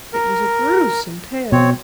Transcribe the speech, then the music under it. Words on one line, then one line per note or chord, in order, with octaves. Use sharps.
It was a gruesome tale!
A#4
B2 C4 C#5